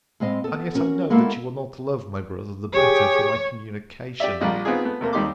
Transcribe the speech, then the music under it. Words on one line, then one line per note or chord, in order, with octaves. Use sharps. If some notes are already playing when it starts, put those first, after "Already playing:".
And yet I know that you will not love my brother the better for my communication.
A2 G#3 C4 D#5 F5
B3 A4
C#4 F#4 A#4
G#3 A#3 B3 E4 A4 A#4
G4 G#4 C#5
G4 D5 E5
A#1 G3 F4 D#5
B3 C4 D#4 F4 G#4
A3 B3
C3 A3 A#3
D#2 G3 D#4 G4 C6 D6